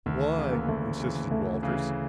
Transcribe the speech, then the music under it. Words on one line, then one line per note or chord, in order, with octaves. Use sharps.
"Why?" insisted Walters.
D2 D#3
C#3 E3
A#3
D2 A3
C#3 E3
D2 A3
C#3 E3